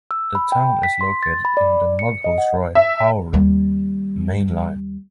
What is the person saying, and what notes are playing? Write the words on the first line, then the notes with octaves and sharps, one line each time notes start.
The town is located in the Mughalsarai - Howrah main line.
E6
B5
G5
B6
C6
A6
B5
D5
C#7
D#5
F#5
E5
D#2 G3